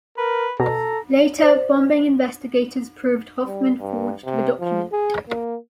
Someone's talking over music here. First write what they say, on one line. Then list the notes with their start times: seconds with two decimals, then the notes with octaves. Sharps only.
Later, bombing investigators proved Hofmann forged the document.
0.18 A#4 B4
0.60 B2 A4 A#5
1.39 C5 D5
3.47 G3
3.79 G2
4.25 C3
4.60 F3
4.92 G#4
5.28 A#3